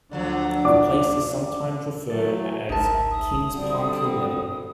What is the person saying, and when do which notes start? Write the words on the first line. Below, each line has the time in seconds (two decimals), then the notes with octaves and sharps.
The place is sometimes referred as King's Park Hill Level.
0.11 D2 D3 F3 F#3 D4
0.65 D5 D6
2.10 E3 F#3 A3 A6
2.69 G#1 C#2 D#4 A#4 E5 A5
3.11 D#6
3.54 D3 G3 C4 F#4